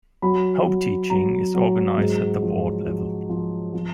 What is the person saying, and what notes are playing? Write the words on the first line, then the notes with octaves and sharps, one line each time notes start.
Home teaching is organized at the ward level.
F#3 B5
F#3
F#3 A#5
F#3
G#2
F3
F3
F3
F3